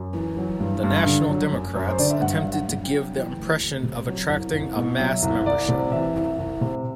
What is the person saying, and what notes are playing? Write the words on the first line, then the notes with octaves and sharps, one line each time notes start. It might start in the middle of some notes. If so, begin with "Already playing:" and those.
The National Democrats attempted to give the impression of attracting a mass membership.
Already playing: F#2
E3
F#3
G2
G2
D3
F#3
F#2
F#2
C5
D3 D5
E5
G2 F#5
F#3
F#5
G2
G5
F#3
E3 G5
D2
D2
C3
F#3
C2
C2
B2
F#3 E5
C2
C2 D5
C3
E3 E5
C2
C2
C3